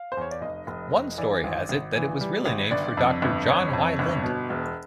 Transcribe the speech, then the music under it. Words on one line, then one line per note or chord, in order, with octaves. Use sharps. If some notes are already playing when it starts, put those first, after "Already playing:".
One story has it that it was really named for Doctor John Y. Lind.
Already playing: F5
C5
E2 C#5
D5
F1 D#5
F1
F1
E3 D5
G#1
G#1
E3
G3
G#1
G1 D5
F2
G1
F2 C#5
F2
G1
B2
E1